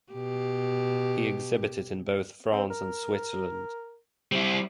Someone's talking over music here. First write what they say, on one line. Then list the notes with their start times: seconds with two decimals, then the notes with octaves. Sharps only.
He exhibited in both France and Switzerland.
0.13 B2 G4
2.52 C4
2.70 A#4
4.32 G3 C4 E4